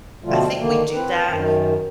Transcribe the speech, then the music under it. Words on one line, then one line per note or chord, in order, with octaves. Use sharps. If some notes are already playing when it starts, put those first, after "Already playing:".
I think we do that
B2 D3 F3 G3 A3 F4
D3 D#3 A#3
C4 B4
F#2 D#3